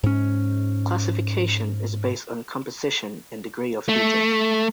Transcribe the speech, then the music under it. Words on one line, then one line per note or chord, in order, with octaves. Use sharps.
Classification is based on composition and degree of heating.
G#2 C#4
A3